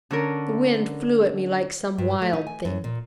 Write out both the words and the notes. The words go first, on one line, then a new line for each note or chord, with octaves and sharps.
The wind flew at me like some wild thing.
D3 C#4 A#4
G2
A3
D#4
G#5
F#2
A#2